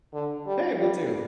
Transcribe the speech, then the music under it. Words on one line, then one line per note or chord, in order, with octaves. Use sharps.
Hey, me too.
D3
G3
G3